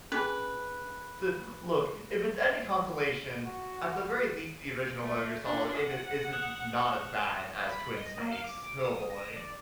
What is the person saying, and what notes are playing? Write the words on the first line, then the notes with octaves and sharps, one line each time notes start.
D Look, if it's any consolation, at the very least, the original Metal Gear Solid, in it is is not as bad as Twin Snakes. Oh, boy.
C#4 G#4 B4 G#5
F#4
A3
C#4 D4
F#5
D#6 F#6 E7
B5
D#5
A#3
F5
D6
D#6
A#6
D5